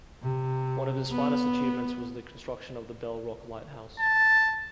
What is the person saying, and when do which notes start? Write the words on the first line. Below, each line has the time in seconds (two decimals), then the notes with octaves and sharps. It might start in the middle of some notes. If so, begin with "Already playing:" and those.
One of his finest achievements was the construction of the Bell Rock Lighthouse.
0.22 C3
1.11 B3
4.00 A5